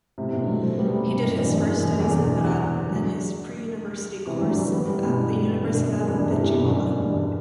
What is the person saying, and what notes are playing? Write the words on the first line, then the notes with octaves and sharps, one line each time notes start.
He did his first studies in Parral and his pre-university course at the Universidad de Chihuahua.
A2 C3
B2 D3
F#3 A3
A3 C4
G3 B3
F#3 A3
C3
G2 B2
F#2 A2
E2 G2
F#2
E2
F#2
E2
B2 D3
C3 E3
D3 F#3
C3 E3
D3 F#3
E3 G3
G3 B3
E3 G3
G2 B2
B2 D3
F#2
F#2
F#2
E2 G2
C3 E3
C3
B2 D3
F#2
F#2
E2 G2